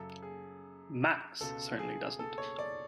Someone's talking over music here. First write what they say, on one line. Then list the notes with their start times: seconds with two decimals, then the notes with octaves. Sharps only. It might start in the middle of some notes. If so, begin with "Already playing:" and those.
"Max" certainly doesn't.
Already playing: F#2 C#3 A4
0.22 G#4
1.40 C#2 B2 A4
1.79 G#4
2.19 A4
2.38 C#5
2.59 D5